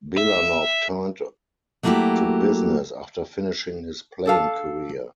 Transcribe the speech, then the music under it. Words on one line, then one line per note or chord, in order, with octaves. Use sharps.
Belanov turned to business after finishing his playing career.
E5
F#3 A3 A#3 E4 F#4 G4
D4 A4 F5